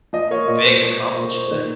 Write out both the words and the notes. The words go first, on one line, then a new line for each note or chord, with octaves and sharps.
big accomplishment.
F3 D#5
A#3 C#5
A#2 D#5
A#2 C5
F3
A#3
A#2
A#2
D#3